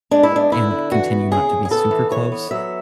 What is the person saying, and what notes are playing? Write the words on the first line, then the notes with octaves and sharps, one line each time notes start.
and continue not to be super close.
G#3 D4
E4
B3 D4
D3 E4
D3
E3 F#4
B3
C#3 G#4
C#3
G#4
B3 A4
E3
E3 C#5
B3
F#3 E5